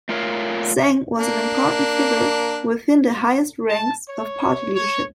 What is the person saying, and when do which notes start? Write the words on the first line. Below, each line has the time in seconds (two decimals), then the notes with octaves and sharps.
Zeng was an important figure within the highest ranks of party leadership.
0.09 A3 F4 A#4 C#5 F5
1.18 A#3 D4
3.69 A5
4.08 C#5
4.75 C#5